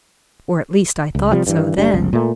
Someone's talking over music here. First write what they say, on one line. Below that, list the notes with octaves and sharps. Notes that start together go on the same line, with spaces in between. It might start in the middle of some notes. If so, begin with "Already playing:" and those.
Or at least I thought so then.
C#2
C3 F3 G3
G2 E3
F#1 G3 D4
G1 C#2
A#2 A3